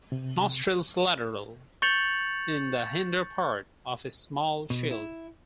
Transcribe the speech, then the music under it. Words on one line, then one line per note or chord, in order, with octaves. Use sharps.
Nostrils lateral, in the hinder part of a small shield.
C3
C#6 G6 A6 C#7 F7 F#7
B2
E4